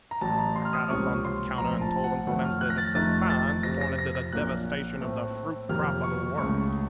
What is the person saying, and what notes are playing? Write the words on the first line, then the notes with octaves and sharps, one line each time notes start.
I got up on the counter and told Uncle Emsley that the signs pointed to the devastation of the fruit crop of the world.
A#5
A1 A2 F#3 A5
A#5
C6
F6
D#6
C#2 C3 F3 A#3 C#4 C#6
C6
A#1 A2 F3 C4 A#5
A5
F#5
F2 D#3 F#3 A3 F#5
F6
F#6
A#6
A6
F1 F2 D#3 A3 D#4 A6
A6
F2 C3 F3 A#6
A#6
A#6
A#6
A#1 A#2 F#3 A#3 F#6
A2 A3 C4
F2 C3 D#3 F#3 A#3 F6
C#6
C#2 C#3 A3 C#6